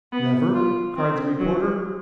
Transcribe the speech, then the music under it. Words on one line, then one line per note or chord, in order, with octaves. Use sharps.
"Never?" cried the reporter.
B3
F4
C4
F#3